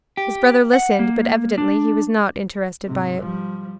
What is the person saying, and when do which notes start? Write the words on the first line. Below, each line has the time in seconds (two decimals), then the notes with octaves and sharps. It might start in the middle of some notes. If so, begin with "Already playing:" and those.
His brother listened, but evidently he was not interested by it.
0.17 G4
0.73 F#5
0.99 A#3
1.58 D4
2.86 G#2 C3
3.20 F3 G3